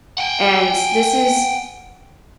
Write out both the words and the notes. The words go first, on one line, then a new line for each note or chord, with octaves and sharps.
And this is
F#5 G5